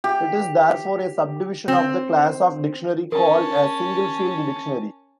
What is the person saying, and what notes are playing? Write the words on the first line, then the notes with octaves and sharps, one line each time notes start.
It is therefore a sub-division of the class of dictionary called a single-field dictionary.
G4
C4
C#4 A#4 A5